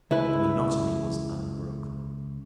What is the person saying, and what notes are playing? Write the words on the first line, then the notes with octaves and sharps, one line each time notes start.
The monotony was unbroken.
C#2 E4 B4